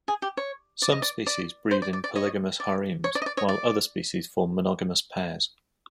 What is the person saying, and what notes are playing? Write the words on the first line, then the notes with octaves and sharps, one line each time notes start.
Some species breed in polygamous harems, while other species form monogamous pairs.
G#4
G4
C#5
D5
D#5
D5
D5
C5
D5
D5
D5
C#5 D#5
D5
C#5
D5
D#5
D5
C#5 D#5
D5